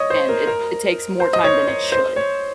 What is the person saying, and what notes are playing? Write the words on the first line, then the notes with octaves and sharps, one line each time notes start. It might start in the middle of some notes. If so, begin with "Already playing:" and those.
and it it takes more time than it should
Already playing: C#5 D#5
C5
A#4
A#4
C5
D#5
C#5
C#5
C5
C#5